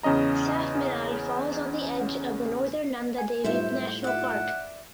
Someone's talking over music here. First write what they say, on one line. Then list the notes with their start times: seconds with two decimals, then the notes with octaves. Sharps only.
Saf Minal falls on the edge of the Northern Nanda Devi National Park.
0.03 E2 C#3 C#4 D#5 A#5
3.18 G#5
3.44 F#2 A2 G3 B3 D#4 F4 C5 E5
4.04 D5 E5 F#5